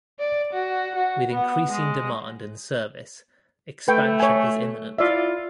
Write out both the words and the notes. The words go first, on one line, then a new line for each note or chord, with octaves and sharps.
With increasing demand and service, expansion is imminent.
D5
F#4
F#4
B3
G#3
A3 B4 G5
C#5 G#5
E4 F4 D5 E5